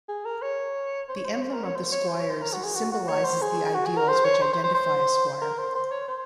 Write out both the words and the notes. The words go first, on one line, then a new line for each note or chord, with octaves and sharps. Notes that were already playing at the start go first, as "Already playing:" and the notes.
The emblem of the Squires symbolizes the ideals which identify a squire.
G#4
A#4
C#5
C5
C#5
C5
C#5
C5
A#4
C#5
C5
C#5
C5
C#5
C5
A#4
F#4
G#4
F#4
F#4
C#5
C5
G#4
F#4
G#4
A#4
C5
C#5
C5
C5
C5
C5
A#4
C5
C5
C#5
C5